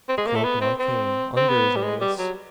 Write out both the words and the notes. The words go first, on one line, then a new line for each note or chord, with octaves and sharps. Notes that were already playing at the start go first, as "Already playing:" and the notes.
The cloak now came under his notice.
C4
G#3
A#3
A3
B3
C4
C4
C4
B3
G3
G#3
G3
F#3